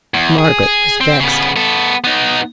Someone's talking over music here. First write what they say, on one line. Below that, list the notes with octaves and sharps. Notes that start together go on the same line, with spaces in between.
Margaret was vexed.
E2
G#4
C4
C#3 B3
B3 A4
B3 D#4